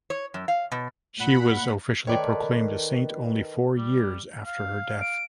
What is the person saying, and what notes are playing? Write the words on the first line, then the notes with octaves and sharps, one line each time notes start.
She was officially proclaimed a saint only four years after her death.
C#5
F#2
F5
B2
A#2 F#5 B5
D#3 A4 B4 C#5 D5
G3
F5
D7